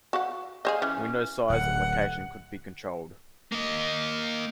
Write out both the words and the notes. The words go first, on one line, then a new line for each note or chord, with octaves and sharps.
Window size and location could be controlled.
F#4 F5 F#5
G#4 C5 D#5 F5
E3 C#4
D1 F#5
A#3 D#5